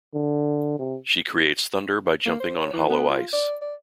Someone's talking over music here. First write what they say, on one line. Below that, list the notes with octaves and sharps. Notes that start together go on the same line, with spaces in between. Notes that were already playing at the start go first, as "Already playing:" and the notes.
She creates thunder by jumping on hollow ice.
D3
C3
A#3
C5
C#5
E3
B3
F4
D5
D5